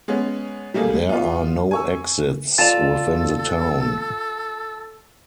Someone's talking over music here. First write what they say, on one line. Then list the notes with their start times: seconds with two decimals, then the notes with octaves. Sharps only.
There are no exits within the town.
0.08 G#3 B3 C#4
0.74 G3 A3 A#3 G#4
1.09 B3 F4
1.71 G#5 C#6 E6
2.58 F4 A4 D5 A5 A6 E7 F7